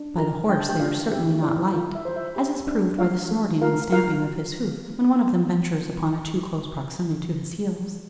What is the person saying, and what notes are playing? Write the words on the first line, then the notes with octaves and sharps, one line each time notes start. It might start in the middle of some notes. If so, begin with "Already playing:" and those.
By the horse they are certainly not liked; as is proved by the snorting and stamping of his hoof, when one of them ventures upon a too close proximity to his heels.
Already playing: D4
F4 A#4 A#5
D4 G5
A5
G4 G5
D4 F4 F5
G4 E5
E4 D5
F4
E5
C5
E5
G4
D4
F4 F5
A4
F4 A#4 F5
F4 A#4 F5